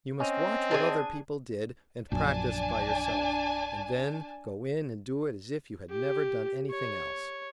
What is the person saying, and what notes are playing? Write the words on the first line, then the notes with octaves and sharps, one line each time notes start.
You must watch what other people did, and practice by yourself, and then go in and do it as if you had never done anything else.
C4 C#4 D#5
D4 G#4 G#5
A#1 F#2 D4 G#5 A5
G4
C#5